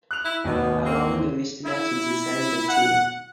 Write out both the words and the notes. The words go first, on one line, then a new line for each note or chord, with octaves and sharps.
Allowing the listener to design the theme.
F#6 F7
E4
G#1 D#2 B2 D#5
A#3 C4
E4
F#5